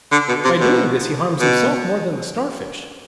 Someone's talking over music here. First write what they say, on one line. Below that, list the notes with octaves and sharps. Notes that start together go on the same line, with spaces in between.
By doing this he harms himself more than the Starfish!
D3
B2
C3
B2
B2